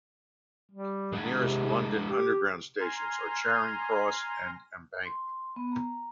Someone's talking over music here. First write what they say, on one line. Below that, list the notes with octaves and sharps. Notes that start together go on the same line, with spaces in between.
The nearest London Underground stations are Charing Cross and Embankment.
G3
G#3 D4
C3
G4
G#5 A#5 C6 F6
C6
B3
A#5